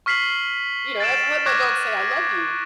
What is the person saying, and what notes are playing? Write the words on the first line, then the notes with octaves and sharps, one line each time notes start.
You know, I've heard my dog say I love you,
C#6 F6 B6 C7 F#7
A6 D7 E7
C#6 D6 F#6 G#6 A#6